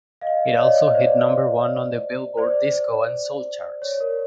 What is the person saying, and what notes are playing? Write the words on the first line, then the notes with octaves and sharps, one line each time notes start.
It also hit number one on the "Billboard" Disco and Soul charts.
D#5 F5
D5
C#5 D#5
C5 D5
C5 D5
C#5
A#4